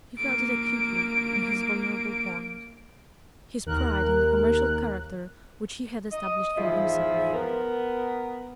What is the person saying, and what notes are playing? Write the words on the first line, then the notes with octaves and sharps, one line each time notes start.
He felt it acutely in his vulnerable point--his pride in the commercial character which he had established for himself.
A#3 D7
D#2 A#4 F#6
D#5
E2 G#2 F3 E4 F4 G#4
B3 A#4